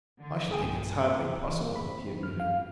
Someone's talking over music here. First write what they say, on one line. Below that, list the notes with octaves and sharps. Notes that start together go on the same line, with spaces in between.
"I should think it hardly possible," he admitted.
D3
A#1 G2 A#2 G#4 G5 G#5
E3
A#3
B5
C4
D#3
F6
F5